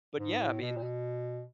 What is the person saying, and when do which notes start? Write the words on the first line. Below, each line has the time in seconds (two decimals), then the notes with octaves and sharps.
But, yeah, I mean,
0.19 G#2
0.41 A2
0.62 B2
0.76 A#2
0.83 B2